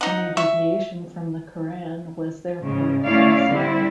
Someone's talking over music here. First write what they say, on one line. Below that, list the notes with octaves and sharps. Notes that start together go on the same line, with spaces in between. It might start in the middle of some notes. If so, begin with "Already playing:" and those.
Any deviation from the Qur'an was therefore heresy.
D#4 F#5
E5 C#6
G#2 C#3
A3 C#4 E4 C#5 D5 F5
D3 G3 C4 E4